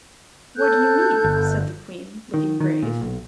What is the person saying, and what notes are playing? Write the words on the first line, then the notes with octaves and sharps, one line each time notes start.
"What do you mean?" said the queen, looking grave.
A4 F#6 G6
G1
D#3
D#3
A#2
B1